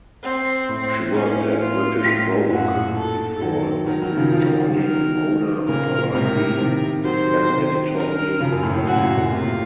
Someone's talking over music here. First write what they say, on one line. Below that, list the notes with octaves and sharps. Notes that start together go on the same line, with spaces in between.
She worked at "British Vogue" before joining Moda Operandi as editorial director.
C4
A2
A2 C#4
F4
A2
F#2 A#2 F#4
A4
D#3 F#3
D#3 F#3 A#4
D#3 F#3
D#3
C#3 F3
C#3 F3
D#3 F#3 A#4
A#2 C#3 A#4
A2 C3 A#4
C3 D#3
D#3 F#3 C5
C3 D#3
A#4
C#3 F3
F#2
A2
A2
F#2 F#4
A#2
A2
F#2 A#2
A2 C3 F4